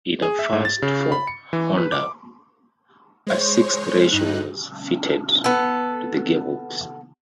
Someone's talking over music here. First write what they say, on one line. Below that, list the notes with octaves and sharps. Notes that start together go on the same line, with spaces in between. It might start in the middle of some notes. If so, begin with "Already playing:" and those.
In a first for Honda, a sixth ratio was fitted to the gearbox.
G#4
E5
G#2
A6
C#3
B5
C#7
E3
B4
D6
G#3 C5 C#5
G2 D#4 F#6
B3 A4